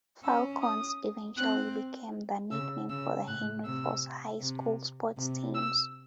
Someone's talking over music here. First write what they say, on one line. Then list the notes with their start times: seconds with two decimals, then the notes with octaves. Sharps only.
"Falcons" eventually became the nickname for the Henry Foss High School sports teams.
0.24 C#4 E6
0.62 D#6
1.38 C4 F#6
2.51 C#3 E6
2.90 C#3 E6
3.27 A2 F#6
3.65 C3 E6
4.41 C3
5.17 C3
5.55 E6